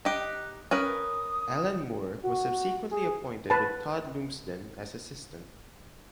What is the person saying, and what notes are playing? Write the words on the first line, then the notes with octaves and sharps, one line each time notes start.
Allan Moore was subsequently appointed with Todd Lumsden as assistant.
D#4 G4 F#6
C#4 A#4 B4 D#6
F#4
G#4
B4 A5